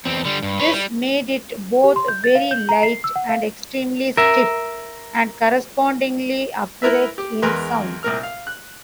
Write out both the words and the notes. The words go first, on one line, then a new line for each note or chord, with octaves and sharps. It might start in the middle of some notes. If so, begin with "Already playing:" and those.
This made it both very light and extremely stiff, and correspondingly accurate in sound.
E2 C4
D3 G3
G2
B4 C#5
G3
G4
C6
G6
A6
F5
G6
A#5
C7
E6
F#5
F5
A#4 E5
E4 A#4 B4 E5
G4
E2 G#3 A#4 B4 C6
C2 A#2 A#4 F6
F5
F#6